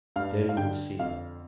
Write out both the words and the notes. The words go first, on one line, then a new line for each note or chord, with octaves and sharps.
Then we'll see.
G2 F5
F5
D3 G5
F2 F5